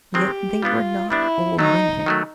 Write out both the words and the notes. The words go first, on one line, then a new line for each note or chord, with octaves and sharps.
Yet they were not old women.
D#3 G#3 C4 G4
G3 B3 D4 F4
G3 B3 D4 E4
D#3 F#3 A3 D#4
D#3 F#3 A3